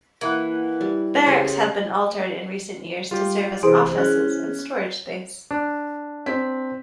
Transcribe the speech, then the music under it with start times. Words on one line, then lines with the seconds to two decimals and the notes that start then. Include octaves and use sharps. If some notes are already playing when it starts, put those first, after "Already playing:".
Barracks have been altered in recent years to serve as offices and storage space.
0.21 E3 A#3 E4 F#5
0.81 G3
1.26 C#3 G4 A4 C5
3.11 G3 F4 G4
3.63 C3 E3 G#4 C5 D7
3.98 C#4 F#6
5.51 D4
6.26 C4 B6